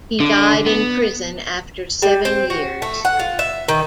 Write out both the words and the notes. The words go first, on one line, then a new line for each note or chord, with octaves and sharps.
He died in prison after seven years.
D3
B3
G3
C4
F#4
A3
F#5
F4
E5
D#3